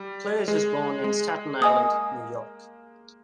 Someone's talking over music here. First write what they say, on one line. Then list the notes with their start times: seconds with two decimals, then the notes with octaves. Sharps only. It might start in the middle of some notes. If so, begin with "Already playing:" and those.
Close was born in Staten Island, New York.
Already playing: G3
0.48 G#3
1.04 G#3
1.61 A#3 D#5 G#5 D#6